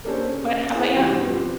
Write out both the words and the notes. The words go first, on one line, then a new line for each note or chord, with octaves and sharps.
What how about you?
A#3 C#4 D4 G4 A4 C5
C#3
E4 G#4 C5
C#3 E3 F3 G3 F#4
G2 B2
F3 B3 C4 G4